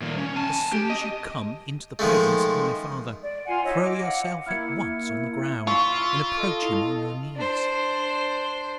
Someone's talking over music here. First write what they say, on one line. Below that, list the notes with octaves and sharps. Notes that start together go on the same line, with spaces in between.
As soon as you come into the presence of my father, throw yourself at once on the ground and approach him on your knees.
A#2 D#3
C#4
G#5 A5
G4
D#5
D#3 F3 G#3 A3
D5
F4 F#5 G#5 C6
D#4 E4 C#5 D#5
D#5 D6
F5 F#5
A#3 E4 F6 G#6 C#7
F4 B5 C#6 E6
A4 D#5
E4 F7
D4 C5